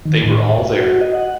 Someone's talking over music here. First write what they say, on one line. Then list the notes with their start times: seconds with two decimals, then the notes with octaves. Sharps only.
They were all there.
0.05 D#3
0.24 A2
0.76 F#4
1.01 D#5
1.15 F#5